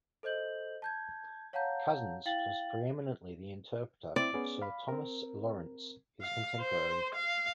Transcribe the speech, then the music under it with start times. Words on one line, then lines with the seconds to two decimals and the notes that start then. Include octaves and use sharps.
Cousins was preeminently the interpreter of Sir Thomas Lawrence, his contemporary.
0.23 A4 C5 D#5 G6 F#7
0.82 A5 G6 G#6
1.53 C#5 F5 F#5 A5 A#5 G6
2.26 E4 F5 G5 A6 F#7
4.16 C4 E4 D5
4.34 B3 C#4 G#4
4.62 F5 B5
4.88 C4 A#4
6.22 F5
6.60 C5
7.14 F5